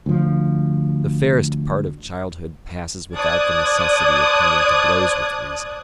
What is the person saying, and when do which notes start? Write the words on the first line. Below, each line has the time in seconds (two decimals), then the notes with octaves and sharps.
The fairest part of childhood passes without the necessity of coming to blows with reason.
0.06 D2 F3
3.15 C5 D5 A5 D#6 F#6 G#6